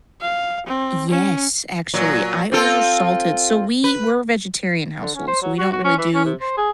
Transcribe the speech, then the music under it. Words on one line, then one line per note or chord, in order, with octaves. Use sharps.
Yes, actually, I over salted. So we were vegetarian household, so we don't really do
F5
C4
C#4
A#2 F#3
C4 F4 A4
B4
D3
C#4
C5
F#3
F#4
F#4
C#4
E3
C#4
C3
C5
G#4